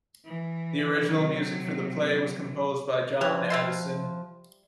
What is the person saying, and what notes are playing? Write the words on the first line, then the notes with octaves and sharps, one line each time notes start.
The original music for the play was composed by John Addison.
E3
C3 F#3
E3 F3 G4 F#6
G3 E5 C6